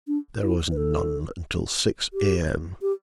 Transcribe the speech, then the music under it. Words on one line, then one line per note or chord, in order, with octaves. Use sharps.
There was none until six A.M.
D4
E4
B4
A4
G4
G4